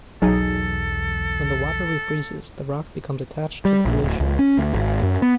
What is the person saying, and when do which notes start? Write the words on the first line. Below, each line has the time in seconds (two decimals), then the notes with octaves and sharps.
When the water refreezes, the rock becomes attached to the glacier.
0.22 B1 E2 F#3 D#4 G#4 A4
3.65 G3
3.85 A#1
4.02 D1
4.20 C#2
4.39 C#4
4.58 D2
4.74 G#1
5.03 F#2
5.22 B3